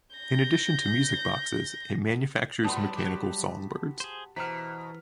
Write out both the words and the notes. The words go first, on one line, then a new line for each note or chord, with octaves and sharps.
In addition to music boxes, it manufactures mechanical songbirds.
G6 A#6
A2 F#3 G3 B3 A5 B5 C6 D#6
F#4 G4
G#4 C5
B2 E3 C5 A#5 F6 B6